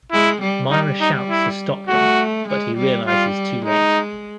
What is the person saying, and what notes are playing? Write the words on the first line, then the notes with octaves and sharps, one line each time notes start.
Myra shouts to stop him but he realizes too late.
G#3 E4
G3
G3 D#4
D#4
E4
A3 F#4
G#3
G3
G3 F4
G#3 D#4